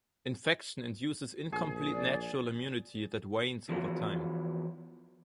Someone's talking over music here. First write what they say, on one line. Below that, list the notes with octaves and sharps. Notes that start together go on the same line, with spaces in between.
Infection induces incomplete natural immunity that wanes over time.
A#1 G#4
D5
E2 F3 F#3